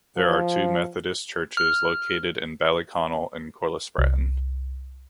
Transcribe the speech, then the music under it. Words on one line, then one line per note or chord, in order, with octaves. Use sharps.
There are two Methodist churches located in Ballyconnell and Corlespratten.
F3
F6
C2